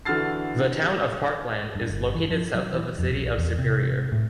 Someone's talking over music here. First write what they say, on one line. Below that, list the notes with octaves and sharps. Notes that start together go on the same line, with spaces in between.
The Town of Parkland is located south of the city of Superior.
D3 E3 F#4 F6 A6 C7
G2
G1
E3
F3
F#3
E3
F2
B1
E2
C3
A2